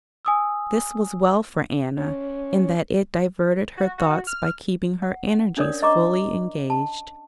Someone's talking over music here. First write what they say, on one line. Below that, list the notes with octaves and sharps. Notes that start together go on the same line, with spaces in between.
This was well for Anna, in that it diverted her thoughts by keeping her energies fully engaged.
G#5 D#6 E6
C#4
F#4
F#4
F6
F#5
C#4 D4 A#4 C#5 D5 D#6
D#5 A#5 C#6 D6
A5